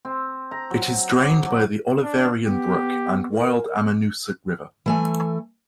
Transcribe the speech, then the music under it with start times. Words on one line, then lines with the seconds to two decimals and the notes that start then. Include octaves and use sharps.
It is drained by the Oliverian Brook and Wild Ammonoosuc River.
0.05 C4
0.51 A#5
0.70 F#3
1.11 D6
1.46 F#3
2.03 D4
2.46 B3 G4
3.32 A#4
4.86 E3 A3 G#5